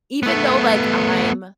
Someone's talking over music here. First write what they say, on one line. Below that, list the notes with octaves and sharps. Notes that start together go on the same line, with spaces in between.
Even though, like, I'm
A3 B3